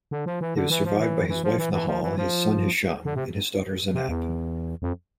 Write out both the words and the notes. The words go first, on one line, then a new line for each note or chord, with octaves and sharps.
He was survived by his wife, Nehal, his son, Hisham and his daughter, Zeinab.
D3
F3
E3
D3
E3
F3
E3
E3
F3
E3
E3
F3
E3
F3
D3
C3
C3
E2
F2